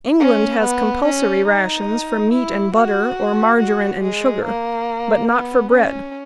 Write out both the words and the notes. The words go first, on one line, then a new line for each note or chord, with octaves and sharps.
England has compulsory rations for meat and butter or margarine and sugar, but not for bread.
C#4
B3
C#4
D#4
E4
F#4
F#4
G#3
A#3
B3
C#4